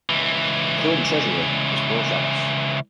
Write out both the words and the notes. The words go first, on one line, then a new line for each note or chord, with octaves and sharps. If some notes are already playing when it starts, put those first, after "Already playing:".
The current Treasurer is Paul Schabas.
C#2 E3